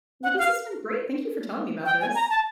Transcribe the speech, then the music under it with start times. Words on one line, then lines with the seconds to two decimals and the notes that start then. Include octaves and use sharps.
Well, this has been great. Thank you for telling me about this.
0.23 F#5
0.38 F5
1.85 G5
2.01 G#5
2.15 A#5
2.30 A5